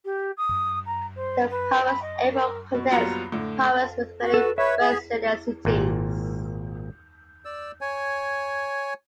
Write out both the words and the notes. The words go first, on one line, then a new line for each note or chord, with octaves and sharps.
The Palmas Airport connects Palmas with many Brazilian cities.
G4
D#6
A#5
C5
B4
B5
D#5
A#4
B2
A#1 F#3 G3 B3 F4 A#5
A2 D3
F#4
A4 B4
B4 C#5 E5
G#4
G#1 A#2
D5 E6
C#5 G#5